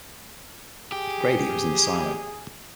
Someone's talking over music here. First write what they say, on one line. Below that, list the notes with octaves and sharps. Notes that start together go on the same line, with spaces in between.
Grady was in the silo.
G4 G#4